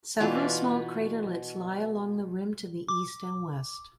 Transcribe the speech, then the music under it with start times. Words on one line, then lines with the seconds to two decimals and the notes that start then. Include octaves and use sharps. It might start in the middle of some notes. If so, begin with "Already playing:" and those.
Several small craterlets lie along the rim to the east and west.
0.20 B2 E3 D4 F4
2.88 D6